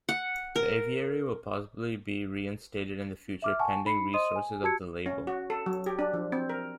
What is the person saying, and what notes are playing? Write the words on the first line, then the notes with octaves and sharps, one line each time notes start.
The Aviary will possibly be re-instated in the future pending resources of the label.
F#5
A#4
E5 D6 F6
F#5 G#5 A5 C#6
D#4 B5 C7 C#7
C5 D#5 C6 D#6 D#7
G#5
F#4 G4 A5 E6 G#6 C#7
C#4
F#4
A4
F#3
G4
D4
F3
C4
A#4